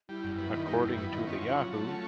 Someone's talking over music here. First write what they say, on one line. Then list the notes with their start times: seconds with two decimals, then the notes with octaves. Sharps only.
According to the Yahoo!
0.09 G3 E4
0.24 F#2
0.38 B3
0.54 D#3
0.67 G3 E4
0.83 F#2
0.97 B3
1.12 D#3
1.27 C#4 F4
1.42 F#3
1.57 F#3
1.72 A3
1.86 C#4 F#4